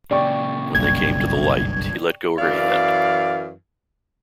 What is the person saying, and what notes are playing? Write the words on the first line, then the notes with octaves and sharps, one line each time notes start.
When they came to the light, he let go her hand.
A#2 C#3 D5 G5 C#6
F#1 B1 G2 G#6
F#2 E3 D5 F5